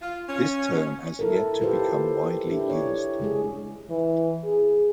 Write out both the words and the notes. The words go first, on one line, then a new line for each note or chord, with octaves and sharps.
This term has yet to become widely used.
F4
C#4
E4 A4 A#4
F4 G4 A4 B4 C5
D4 E4 G4
C#5
C#3 G#3 G#4
E3
G#4